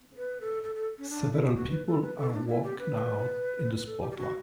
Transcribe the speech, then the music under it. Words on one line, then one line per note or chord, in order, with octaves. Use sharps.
Several people are walking out in the spotlight.
B4
A4
A4
A4
C#4
D4
E4
G4
F#4
B4
A4
B4
A4
E4
D4
E4
G4
B4
B4
A4
G4
G4
F#4